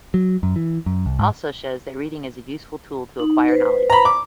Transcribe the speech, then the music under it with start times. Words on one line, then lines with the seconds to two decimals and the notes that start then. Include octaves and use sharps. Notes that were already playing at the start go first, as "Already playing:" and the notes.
Also shows that reading is a useful tool to acquire knowledge.
0.14 F#3
0.43 F#2
0.56 E3
0.86 F#2
1.06 C2
1.19 G#2
3.20 D#4
3.48 B4 C5
3.90 A#5 B5
4.05 D6